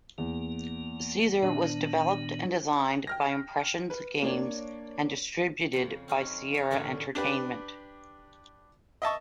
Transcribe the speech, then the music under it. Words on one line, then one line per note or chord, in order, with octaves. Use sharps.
"Caesar" was developed and designed by Impressions Games and distributed by Sierra Entertainment.
E2 A#3
A#2 D#3 B3 D4
G5 F6 A#6
B4
A#3 D4 C#5
F2 C#3 F3
C4 C#4 D#4
C#5 F5
F#2 A2 D3 E3 C#4 D4
D4 G4 B4
D#5 E5 A5 C#6